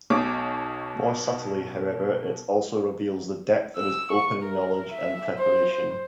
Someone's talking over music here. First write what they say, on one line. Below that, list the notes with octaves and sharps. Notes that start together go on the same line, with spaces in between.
More subtly, however, it also reveals the depth of his opening knowledge and preparation.
B1 B2 C#5 D6
E6
C#6
A#4
E5
C5
C5